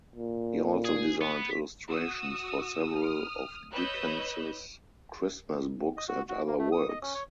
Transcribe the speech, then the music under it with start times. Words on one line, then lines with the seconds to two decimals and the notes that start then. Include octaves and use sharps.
He also designed illustrations for several of Dickens's Christmas books and other works.
0.15 A#2
0.85 G#4
1.21 B3
1.88 F#4 D#6 E6
2.98 D#6 F6
3.73 B4 C#5 D#5 E6 F#6 G6
5.97 D#5
6.08 F#4
6.29 F#4
6.47 A#3
6.59 A3
6.72 D#6
6.89 D#5
7.02 C#4
7.14 C#5